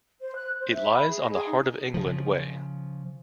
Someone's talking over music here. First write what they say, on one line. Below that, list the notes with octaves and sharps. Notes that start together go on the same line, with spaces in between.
It lies on the Heart of England Way.
C5
F#6
C5
E5
B5
G#4
D#5
G#4
D#4
C#3 F3